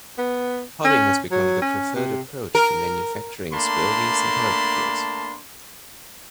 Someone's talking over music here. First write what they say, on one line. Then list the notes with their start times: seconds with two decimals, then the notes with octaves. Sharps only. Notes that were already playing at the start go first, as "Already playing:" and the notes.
Hobbing has become the preferred approach to manufacturing spur gears and helical gears.
0.18 B3
0.84 C#4
1.31 F#3
1.62 C#4
1.95 C3
2.55 A#4
3.53 A3 A#3 D4 A5 B5 C6